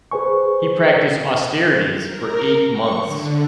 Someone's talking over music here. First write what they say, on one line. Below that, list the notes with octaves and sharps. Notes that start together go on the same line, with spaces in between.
He practised austerities for eight months.
G#4 B4 C5 G#5 C#6
A#4
C#6
D3